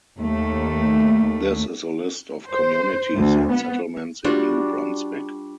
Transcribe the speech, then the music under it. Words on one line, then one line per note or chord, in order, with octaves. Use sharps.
This is a list of communities and settlements in New Brunswick.
D#2 A3
C5
D2
B3
G3 D4 F4 F#4